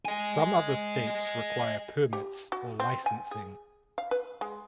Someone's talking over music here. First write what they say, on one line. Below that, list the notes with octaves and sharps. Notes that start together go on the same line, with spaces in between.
Some other states require permits or licensing.
D#5 G#5
G4
F#4
C4
G#5
G#4
F5
B4
G#3